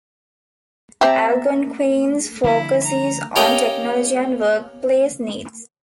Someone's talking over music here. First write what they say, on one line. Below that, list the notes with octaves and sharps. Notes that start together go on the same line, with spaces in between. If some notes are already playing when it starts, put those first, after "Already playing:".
Algonquin's focus is on technology and workplace needs.
C4 G4 E5 A5 A#5
D3 F3 G3 E4
A#5
C#4 G4 A#4 D#5 F5 G5